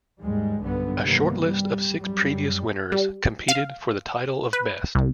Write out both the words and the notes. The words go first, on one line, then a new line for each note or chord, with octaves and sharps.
A shortlist of six previous winners competed for the title of Best.
D#2 G#2 G3 G#3
B1 G2 D3 B3
A2 C3 D#3 G3 A#3 B3
G3
F#2 G3
G3
F5
B4
C2